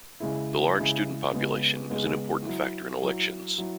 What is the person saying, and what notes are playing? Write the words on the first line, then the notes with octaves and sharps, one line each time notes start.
The large student population is an important factor in elections.
C#3 G#3 E4
C#3 G#3 E4
C#3 G#3 B3
C#3 G#3 B3
F#3 E4
F#3 E4
F#3 E4